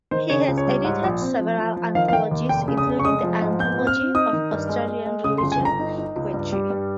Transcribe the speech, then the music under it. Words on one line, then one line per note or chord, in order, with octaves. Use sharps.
He has edited several anthologies, including the "Anthology of Australian Religious Poetry".
D#3 C5
C#3 C#5
C#2
C#5
G3
G#2
A#1
C4
F3
F3
F3
D#3 F5
F5
D#3 G5
D#2
F1 G5
C#3
D#6
F1
C#6
G#3 D#6
F3
G#2
A#2 G6
C4
F6
C4
D#4 D#6
D#3
G2
G#3
G#3
G#3
C#3 D#6
C6
G1
G#5
G1 A#5
D#4
D#4
C#2
G2
G3
G2